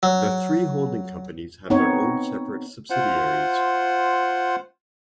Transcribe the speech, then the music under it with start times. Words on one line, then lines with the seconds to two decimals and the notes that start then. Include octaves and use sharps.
The three holding companies have their own separate subsidiaries.
0.03 F#3
1.70 B3 C4 D#4 C#5
2.90 F4 C5 F#5